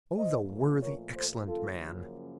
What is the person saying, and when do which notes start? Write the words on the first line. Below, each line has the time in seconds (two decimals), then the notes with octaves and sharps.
Oh, the worthy, excellent man!
0.17 A#2 F3 A3 C5 D#5
0.83 A#4 C#5
1.15 A4 C5
1.48 F#2 C#3 F3 A#3 F4 A4